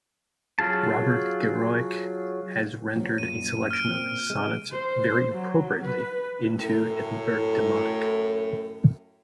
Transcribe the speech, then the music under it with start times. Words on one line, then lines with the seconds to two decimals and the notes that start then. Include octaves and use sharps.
Robert Garioch has rendered a selection of his sonnets, very appropriately, into Edinburgh demotic.
0.59 F#3 F4 G#4 A5
2.96 C#3 F3 F#3
3.18 F#2 A#2 D#7
3.71 F6 D7
3.85 A#2 C4
4.30 C3 G#3
4.72 C5
5.32 F#3
5.86 B4
6.59 F#2 A2